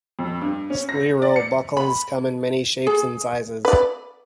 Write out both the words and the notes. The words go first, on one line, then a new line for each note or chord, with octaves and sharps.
Scleral buckles come in many shapes and sizes.
F2
G2
C#4
A#6
D5
C#7
B5
G#4
B4 D5